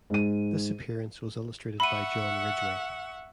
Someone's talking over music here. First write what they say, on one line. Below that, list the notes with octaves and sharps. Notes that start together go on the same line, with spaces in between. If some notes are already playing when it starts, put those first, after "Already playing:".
This appearance was illustrated by John Ridgway.
G#2 D#7
E5 F#5 B5 C#6 D#7